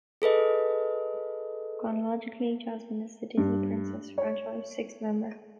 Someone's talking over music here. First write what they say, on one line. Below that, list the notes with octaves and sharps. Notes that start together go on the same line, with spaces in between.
Chronologically, Jasmine is the Disney Princess franchise's sixth member.
G#4 A4 B4 D#5
G2
C#5